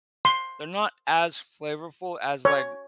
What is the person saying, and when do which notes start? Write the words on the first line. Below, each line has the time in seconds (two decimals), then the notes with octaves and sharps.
they're not as flavorful as, like,
0.25 C6
2.45 C#5